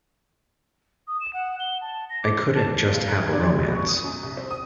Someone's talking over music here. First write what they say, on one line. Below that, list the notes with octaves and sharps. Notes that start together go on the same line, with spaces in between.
I couldn't just have a romance.
D#6
E7
F#5
G7
A5
A#6
D6
A5
B1
F#6
G#6
D4
C3
B2
C#6
D#6
F#2
C2
C4
D#6